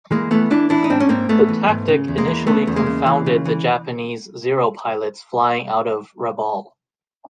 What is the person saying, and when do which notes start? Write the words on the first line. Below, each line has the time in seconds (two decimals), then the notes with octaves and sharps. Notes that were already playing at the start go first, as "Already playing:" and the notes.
The tactic initially confounded the Japanese Zero pilots flying out of Rabaul.
0.11 E3 G#3 A#3
0.31 E3 A3 B3
0.50 E3 D4 E4
0.70 E3 D4 E4
0.84 D#4
0.90 G#2 C4 D4
1.00 C#4
1.09 G#2 A#3 C4
1.29 G#2 A3 B3
1.49 E3
1.69 G#2
1.88 C#3
2.08 E2
2.18 G#3 A#3
2.28 E3
2.47 C#3 A3 B3
2.67 E2
2.76 G#3 A#3
2.87 C#3
3.06 E3
3.26 C#3
3.45 E3